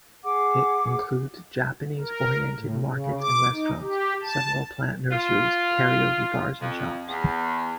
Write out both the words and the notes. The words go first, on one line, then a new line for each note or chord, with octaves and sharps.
It includes Japanese-oriented markets and restaurants, several plant nurseries, karaoke bars and shops.
G#4 F#5 D6
A#4
A2
C#3
D6
D#4
G4
A5
F4
F2
E2